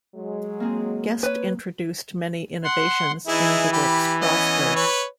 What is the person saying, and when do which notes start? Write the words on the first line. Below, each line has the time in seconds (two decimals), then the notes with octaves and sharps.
Guest introduced many innovations and the works prospered.
0.15 F#3 G#3
0.60 A#3 C4 G#4
1.23 B4 C#5
2.64 F#5 C6
3.27 E3 D#4 E4 G#4
3.72 G4 B5
4.22 B3 C#4 D#5
4.76 B4 C#5